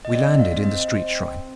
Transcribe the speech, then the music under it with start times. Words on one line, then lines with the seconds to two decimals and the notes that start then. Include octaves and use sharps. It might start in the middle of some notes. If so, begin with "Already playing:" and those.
We landed in the street-shrine.
0.05 D#5
0.13 C4 D5
0.39 F5
0.65 D#5